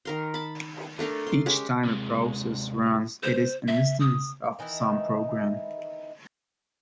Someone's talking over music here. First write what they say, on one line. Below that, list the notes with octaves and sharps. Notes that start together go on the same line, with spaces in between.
Each time a process runs, it is an instance of some program.
D#3 A#4 C6
A5 B5
A3 D4 A4 A#4
C6
G#3 C#4 G4
C3 G#3
C5
E5
D#6
D#3 E3 D#4 E4